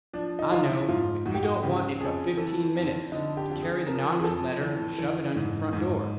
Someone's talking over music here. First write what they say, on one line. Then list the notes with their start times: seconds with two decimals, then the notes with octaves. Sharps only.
"I know; but you don't want it but fifteen minutes, to carry the nonnamous letter and shove it under the front door."
0.13 F3 D4
0.39 D#4
0.51 F3 F4
0.64 E4
0.78 E4
0.88 G#2 F4
1.25 G#2 F#4
1.34 G4
1.43 F#4
1.63 C#3 G4
2.00 F2 G#4
2.37 E3 A4
2.75 F2
3.12 D3 D#4
3.37 G4
3.49 F2 G4
3.62 G#4
3.86 F3 A#4
4.19 G#4
4.24 F2 A4
4.61 E3
4.98 E3
5.36 G#2
5.73 G#2